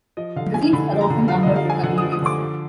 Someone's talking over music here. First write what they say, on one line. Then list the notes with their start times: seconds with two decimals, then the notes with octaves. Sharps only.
The scenes are often numbered for convenience.
0.17 F3 D#5
0.36 D3 F5
0.54 F3 G#5
0.73 D3 B5
0.92 F3
1.01 A#5
1.10 D3
1.28 F3 F5
1.43 D3 D#5
1.56 F5
1.65 F3 G#5
1.83 D3 F#5
1.98 F3 D#6
2.12 D#6
2.22 D3 D6
2.39 F3